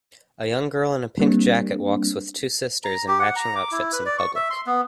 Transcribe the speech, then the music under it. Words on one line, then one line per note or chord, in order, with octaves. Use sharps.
A young girl in a pink jacket walks with two sisters in matching outfits in public.
G3 A#3 C4 D4
A#5
G4
F#5
A#5
D6
E4
B4
D5
C#6
E5
C6
B3